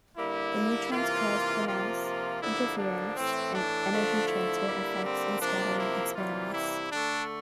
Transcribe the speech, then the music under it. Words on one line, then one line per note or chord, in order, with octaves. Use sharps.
The neutrons cause pronounced interference and energy transfer effects in scattering experiments.
D3 G3 A#3 E4
C3 E3 A#3 F4
C3 F3 A#3 F4
F4
G2 D3 F3 A#3 E4
D4
A2 E3 A3 C4
D4
D3 F3 A3
E4
D3 G3 A#3
C4
C3 F3 A#3 D4
E4
C3 E3 G3 A#3 F4
E4
D3 A3 D4